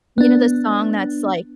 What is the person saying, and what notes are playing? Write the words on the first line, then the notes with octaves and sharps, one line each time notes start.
you know the song that's, like
B3 D4